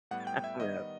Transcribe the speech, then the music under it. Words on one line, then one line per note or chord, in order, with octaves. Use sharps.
I don't know.
A2 G3 B3 F#5
G5
E5
D#3 G3 B3 D#5